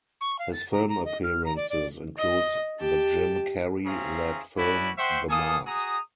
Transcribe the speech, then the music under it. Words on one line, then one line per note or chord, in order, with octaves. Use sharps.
His film appearances include the Jim Carrey led film, "The Mask".
C#6
F5
A6
A#5
A#5
D#5
F6
A#5
D5
D5
D#5
G4 A5
C4 C#4 F4 G#4 E5 A#5
C#4 E4 F#4 B4 D5 B5
C5 E5 F#5 G5 C6 C#6
A#3 A4 F5 G#5 D#6
F#4 G#4 A#5 D#6